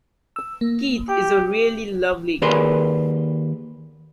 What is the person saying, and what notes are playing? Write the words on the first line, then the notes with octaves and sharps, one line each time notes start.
Keith is a really lovely guy.
E6
A#3
G4 G5
D#2 G#4 A#4 B4 D5 C6